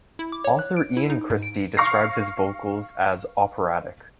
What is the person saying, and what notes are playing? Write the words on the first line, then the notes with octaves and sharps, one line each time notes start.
Author Ian Christe describes his vocals as operatic.
E4
D6
C#5
F#6
D7
E4
D#4
G#2
D7
F5 C#6 F6 A#6 C7